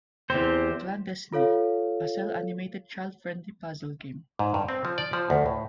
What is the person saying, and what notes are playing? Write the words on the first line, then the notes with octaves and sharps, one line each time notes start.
"Clandestiny" - a cel animated child-friendly puzzle game.
E2 C4 G4 C5
F4 A4 C#5 F5
G#2
G2
C4
F3
D5
F3
D2
A2